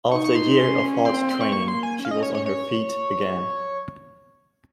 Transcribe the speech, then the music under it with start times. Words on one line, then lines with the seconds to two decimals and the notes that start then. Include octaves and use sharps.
After a year of hard training, she was on her feet again.
0.11 D#4 C#6
0.24 C#6
0.35 C6
0.59 C#4
1.05 C4 C6
1.29 C6
1.41 C#6
1.52 A#3 C#6
1.68 C6
1.83 G#5
1.99 C#4
2.05 F5
2.11 D#5
2.22 C#5
2.35 C#5
2.46 C#5